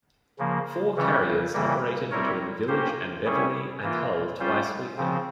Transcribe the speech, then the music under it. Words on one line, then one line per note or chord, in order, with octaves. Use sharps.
Four carriers operated between the village and Beverley and Hull twice weekly.
C#3 F3 A#3
C#3 E3 G3 C#4
C#3 E3 G3 A#3
G3 C4 E4 A#4 C#5
A#3 C#4 G4 C5
G3 C#4 E4 G#4 C#5
E3 A#3 F4
G3 C#4 F4 C5
C#3 F3 C4